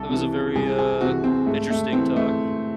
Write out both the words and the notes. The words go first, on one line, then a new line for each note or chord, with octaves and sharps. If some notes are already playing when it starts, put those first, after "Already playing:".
That was a very, uh, interesting talk.
Already playing: C2 A4
C3 E3
C2 G#4
G#4
C3 E3 F#4
C4
G#2 A3
A3
E3 C4
A3